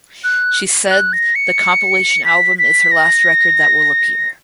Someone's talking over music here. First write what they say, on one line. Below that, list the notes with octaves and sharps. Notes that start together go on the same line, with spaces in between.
She said the compilation album is her last record that will appear.
F#6
F#6
A#6
C#7
B6
B6
A#6